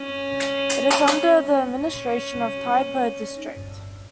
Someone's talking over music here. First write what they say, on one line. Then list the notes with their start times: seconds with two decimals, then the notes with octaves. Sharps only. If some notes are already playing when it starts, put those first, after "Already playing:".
It is under the administration of Tai Po District.
Already playing: C#4
1.74 C#4